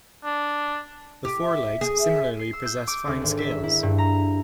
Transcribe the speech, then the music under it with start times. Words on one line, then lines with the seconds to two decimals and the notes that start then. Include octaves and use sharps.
The fore legs similarly possess fine scales.
0.24 D4
1.25 G4
1.41 E5
1.81 G#4
2.00 E5
2.39 C7
2.53 E6
2.66 G6
2.87 D6
3.07 D2
3.22 G#1
3.39 E5
3.64 E4
3.83 G2
3.98 A#5